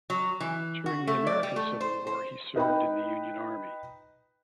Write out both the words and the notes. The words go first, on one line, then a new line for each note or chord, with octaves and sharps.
During the American Civil War, he served in the Union Army.
F#3
E3
F#4
A3
D5
G3
A3
C5
C5
D#4 B4 G5 B5